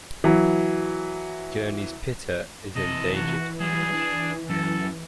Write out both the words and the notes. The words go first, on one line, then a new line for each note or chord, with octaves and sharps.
Gurney's pitta is endangered.
E3 F#3
C3 E3 A4 D#5
F#4
F#3 G3 G#4
D4
F#2 A4